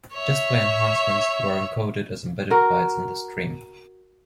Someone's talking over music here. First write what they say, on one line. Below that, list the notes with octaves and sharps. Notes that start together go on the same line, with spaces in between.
Display enhancements were encoded as embedded bytes in the stream.
C#5 E5
F#4 A#4